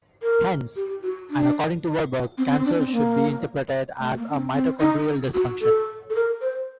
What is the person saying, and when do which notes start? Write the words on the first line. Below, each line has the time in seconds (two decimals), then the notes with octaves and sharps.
Hence, and according to Warburg, cancer should be interpreted as a mitochondrial dysfunction.
0.22 A#4
0.76 G4
1.03 F#4
1.30 D4
2.38 C4
2.51 C4
2.65 D4
2.79 C4
2.92 A#3
3.99 A3
4.17 A#3
4.29 D4
4.35 C4
4.53 C4
4.80 D#4
5.34 F#4
5.61 A4
6.10 A4
6.15 A#4
6.41 C5